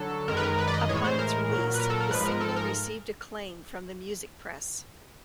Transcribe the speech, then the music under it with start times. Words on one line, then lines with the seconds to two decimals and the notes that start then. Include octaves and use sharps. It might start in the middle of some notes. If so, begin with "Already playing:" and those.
Upon its release the single received acclaim from the music press.
Already playing: D3 F#3 A4
0.28 F#2 D#3 G#3 A#4
0.37 B4
0.43 A#4
0.58 B4
0.67 D5
0.74 D#5
0.89 A2 E3 G#3 C#5
1.04 C5
1.19 A#4
1.49 A#2 F#3
1.74 B4
1.80 A#4
1.90 A4
2.00 A#4
2.10 G#2 F3 G#3 B4
2.25 A#4
2.41 A4
2.56 A#4